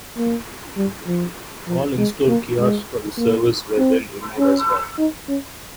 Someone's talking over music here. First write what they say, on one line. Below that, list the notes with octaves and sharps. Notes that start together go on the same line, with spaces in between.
All in-store kiosks for the service were then removed as well.
A#3
G3
F3
F3
G#3
A#3
G#3
A#3
C4
C#4
D#4
C#4